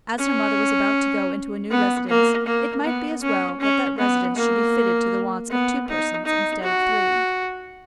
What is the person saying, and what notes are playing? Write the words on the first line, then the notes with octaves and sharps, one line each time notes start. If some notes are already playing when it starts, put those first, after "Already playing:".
As her mother was about to go into a new residence, it might be as well that that residence should be fitted to the wants of two persons instead of three.
C#4
B3
A#3
A#3
B3
C#4
C#4
B3
A#3
B3
D#4
D#4
F#4